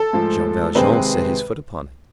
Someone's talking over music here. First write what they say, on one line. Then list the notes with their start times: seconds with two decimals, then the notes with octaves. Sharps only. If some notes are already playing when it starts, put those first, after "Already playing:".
Jean Valjean set his foot upon it.
Already playing: A4
0.13 G#2 F3 A3
0.75 C3 D#3 G#3 C4 B4